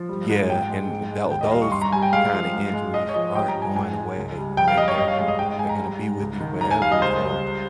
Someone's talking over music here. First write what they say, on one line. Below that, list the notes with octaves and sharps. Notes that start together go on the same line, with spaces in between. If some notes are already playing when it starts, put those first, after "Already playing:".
Yeah, and tha th those kind of injuries aren't going away, they they're gonna they're gonna be with you forever, so
Already playing: F3
G3
G#2
G#2 G5
G#3
G#2
G#3
D#2 G5
D#5
G3 F5
C#6
G2 C6
A#5
G3 G#5
G5
G#3 F5
F3
G#2
G#3
G#3 D#5
C#5
F3 D#5
G3 G5
A#5
G2
G#5
G#2 G#5
G#3
C#2
G3
F2 G5
F5
G3 D#5
C#5
G2 D#5
F5
G#3 F5
D#5
G#2 G5
G5
G#3 G#5
A#5
G3
G#2
C#2
D#3
D#2 A#5
G#5
G3 F5
D#5
C#2 C5
G3
G3